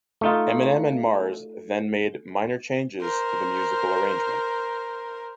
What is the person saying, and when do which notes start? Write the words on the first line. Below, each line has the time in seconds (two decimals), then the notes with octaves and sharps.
Eminem and Mars then made minor changes to the musical arrangement.
0.21 A3 D#4 F4
3.00 A#4 C5